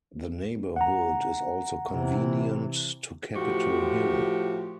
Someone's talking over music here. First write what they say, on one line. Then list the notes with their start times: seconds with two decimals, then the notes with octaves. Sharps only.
The neighborhood is also convenient to Capitol Hill.
0.76 F#5 A#5
1.90 C3 E3
3.35 A2 F3 F#4 G4